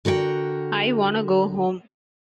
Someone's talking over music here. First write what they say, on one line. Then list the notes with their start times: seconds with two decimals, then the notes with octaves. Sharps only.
I wanna go home.
0.05 D3 F#4 A#4 D#5 G5